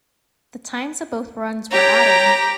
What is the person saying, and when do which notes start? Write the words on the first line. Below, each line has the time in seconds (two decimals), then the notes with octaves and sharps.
The times of both runs were added.
1.72 G4 C#5 G5 A#5